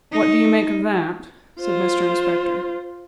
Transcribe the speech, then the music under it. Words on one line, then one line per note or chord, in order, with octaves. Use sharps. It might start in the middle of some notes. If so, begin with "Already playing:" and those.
'What do you make of that?' said Mr Inspector.
D#4
F4 C5